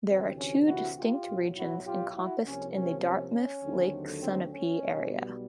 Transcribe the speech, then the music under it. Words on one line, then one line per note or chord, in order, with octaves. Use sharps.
There are two distinct regions encompassed in the Dartmouth-Lake Sunapee area.
D2 C3 E3 C4
C#4
E4 F#4
F4 G4
B1 A2 F#3
E4 F#4
F4 G4
E4 F#4
C2 C3 F3 A#3 C#4
C#4
C#4
C#4
D#2 D3 F#3 A3 C4
C4
C#4
B1 B2 G3 B3